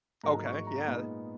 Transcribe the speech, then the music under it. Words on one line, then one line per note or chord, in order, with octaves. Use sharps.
Okay, yeah.
G#2 F#3 A#3 A#5
C#6
A#5
A#2 G#3 B3 D#4